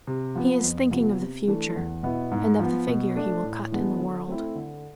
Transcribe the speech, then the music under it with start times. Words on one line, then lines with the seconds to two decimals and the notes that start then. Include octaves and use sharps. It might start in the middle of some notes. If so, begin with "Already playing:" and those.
He is thinking of the future and of the figure he will cut in the world.
0.07 C3
0.35 F3 B3
0.63 F2
0.91 C3 F3 B3
1.19 C3
1.48 E3 A3 D4
1.76 E2
2.03 B2 B3 E4
2.31 G#2
2.59 F3 B3
2.87 B2
3.15 A3 D4
3.43 A2
3.72 E3 G#3 B3 D4
3.99 D3
4.27 A3 C4 E4
4.55 D3